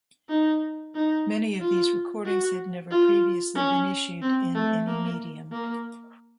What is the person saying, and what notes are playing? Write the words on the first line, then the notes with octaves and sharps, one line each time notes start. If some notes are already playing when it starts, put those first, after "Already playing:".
Many of these recordings had never previously been issued in any medium.
D#4
D#4
F4
F#4
F4
C#4
C4
A3
A#3
A#3